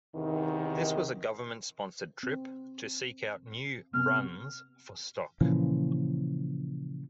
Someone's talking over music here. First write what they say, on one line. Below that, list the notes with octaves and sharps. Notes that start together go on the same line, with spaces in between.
This was a government sponsored trip to seek out new 'runs' for stock.
E2 C3 D#3
C4
C3 B3 F6
A#2 C#3 E3 F3